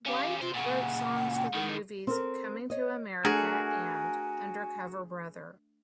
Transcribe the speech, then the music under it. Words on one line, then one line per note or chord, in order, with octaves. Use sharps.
White wrote songs for the movies "Coming to America" and "Undercover Brother".
C#4 G4 F5
C3 F4 C5
A#2 C#3 F#5
A2 D#3
C4 A4 A#4
C#5 D#5
A3 D4 F#4 G#4 A#4 F#5 G#5